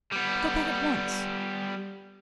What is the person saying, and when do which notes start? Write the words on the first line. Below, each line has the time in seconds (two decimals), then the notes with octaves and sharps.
Go back at once!
0.12 G3 B3